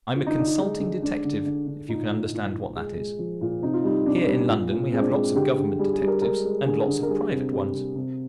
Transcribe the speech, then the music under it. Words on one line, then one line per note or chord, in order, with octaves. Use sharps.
I'm a consulting detective, if you can understand what that is. Here in London we have lots of Government detectives and lots of private ones.
D3 F4
D#4
D3 D4
D#4
G#3 D#4
D3
G#3 D4
D3
D3
D3
A#2 D#4
A#2
A#2
A#2
G#3
G#3
F3
A#2
C3 D#4
F4
G3 D#4
C3 D4
G3
A#2
A#2
G#3 C4
D4
C4
G#3
D3 G4
D3
G3 G#4
G#4
G3
A#4
G#3 A#4
G#3
D3 G#4
D3
A#4
G3 G#4
C3
G3
C3
C3